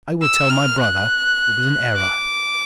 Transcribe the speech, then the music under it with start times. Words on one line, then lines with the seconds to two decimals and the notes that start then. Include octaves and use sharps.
"I will tell my brother it was an error."
0.22 E6
0.50 F6
0.80 F#6
1.97 D6